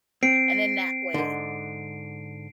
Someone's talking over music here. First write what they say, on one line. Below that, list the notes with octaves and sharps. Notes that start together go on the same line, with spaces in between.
and then, that way,
C4 C7 D7
G#2 D3